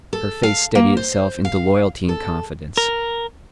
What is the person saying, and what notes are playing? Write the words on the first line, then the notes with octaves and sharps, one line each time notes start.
Her face steadied itself into loyalty and confidence.
A4
F5
A#3
C5
F5
A4
A#4